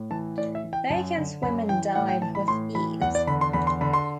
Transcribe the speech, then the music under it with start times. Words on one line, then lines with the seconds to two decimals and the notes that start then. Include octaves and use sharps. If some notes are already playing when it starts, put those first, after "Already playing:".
They can swim and dive with ease.
Already playing: A2
0.11 E3 A5
0.38 A2 D5
0.55 E5
0.64 E3
0.73 G5
0.90 F#2 A5
1.17 D3
1.43 F#2 B5
1.69 E3 G5
1.95 A2 F#5
2.09 G5
2.22 E3 A5
2.35 B5
2.48 A2 C6
2.75 E3 B5
3.01 E2 F#5
3.15 D5
3.27 D3 B5
3.41 C6
3.53 E2 B5
3.67 C6
3.81 D3 B5
3.93 C6